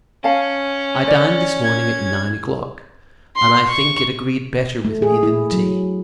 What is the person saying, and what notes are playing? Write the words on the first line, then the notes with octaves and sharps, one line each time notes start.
I dined, this morning, at nine o'clock; and, I think, it agreed better with me than tea.
C#4 F5 A5
D5
G#6
C6
C#6
A3
G#4
E4
F#3